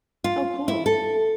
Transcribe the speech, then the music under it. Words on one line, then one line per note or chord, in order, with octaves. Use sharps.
Oh, cool.
F4
E4
A4